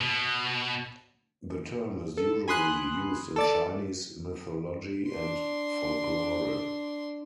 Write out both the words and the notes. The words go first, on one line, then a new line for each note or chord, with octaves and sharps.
The term is usually used in Chinese mythology and folklore.
B2
A4
G#5 B5 C6 D#6 F#6
A4 D5 A6
D4 C6